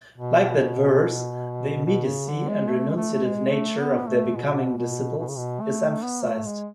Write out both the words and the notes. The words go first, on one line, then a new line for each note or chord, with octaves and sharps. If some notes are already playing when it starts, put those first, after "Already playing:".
Like that verse the immediacy and renunciative nature of their becoming disciples is emphasized.
B2
B2
C#3
D3
G#3
A3
G#3
A3
A3
G#3
A3
B3
A3
B2
B2
B2
C#3
B2
A3
B3
A3
G#3